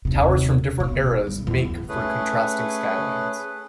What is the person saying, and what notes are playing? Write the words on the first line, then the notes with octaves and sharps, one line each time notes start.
Towers from different eras make for contrasting skylines.
D#2 C3
B2
B2
C#3 G3
E2
A3 C#4 G#4 B4